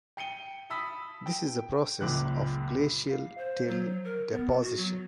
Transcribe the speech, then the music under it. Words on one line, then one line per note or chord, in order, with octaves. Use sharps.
This is the process of glacial till deposition.
G5 C#7 D#7 G7
A5 B5 D#6 E6 B6
G5
F#1 C#2 A#2 D6 F#6
F5
C5
F#3
A#4
B3
F#4
F#3